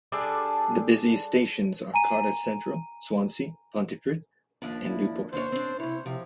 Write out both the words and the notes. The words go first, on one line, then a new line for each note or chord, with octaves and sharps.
The busiest stations are Cardiff Central, Swansea, Pontypridd, and Newport.
G3 D4 G#4 A4
G#5 A#5 D#7
D#2 F3 D4
E4
D#2 D4 C5 C#5
C4 D4
C3 E4 C#5
C3 F3